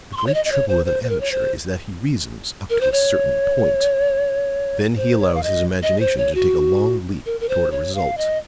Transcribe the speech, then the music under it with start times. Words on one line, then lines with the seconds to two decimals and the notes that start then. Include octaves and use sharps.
The great trouble with an amateur is that he reasons up to a certain point; then he allows his imagination to take a long leap toward a result.
0.13 C#6
0.17 C6
0.27 C#5
0.34 D#5
0.45 D#5
0.52 C#5
0.68 C5
0.86 C5
1.03 C5
1.09 A#4
1.20 C#5
1.32 C5
2.70 A#4
2.81 C5
2.92 C#5
4.97 C5
5.20 C#5
5.35 F5
5.43 D#5
5.83 D#5
6.00 C5
6.17 C#5
6.35 F#4
7.26 A#4
7.41 A#4
7.49 C5
7.71 C#5
7.95 F5
8.17 D#5